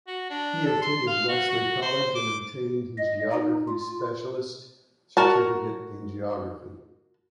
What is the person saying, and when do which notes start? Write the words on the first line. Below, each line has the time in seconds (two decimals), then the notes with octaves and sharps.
He attended Wesley College and obtained his Geography Specialist Certificate in Geography.
0.07 F#4
0.30 D4
0.66 A4
0.82 C6
1.07 F5
1.29 F#4
1.49 F#4
1.82 C5
2.15 D6
2.98 D#5
3.32 D#4
3.68 F4
5.17 F#4 A#4 A5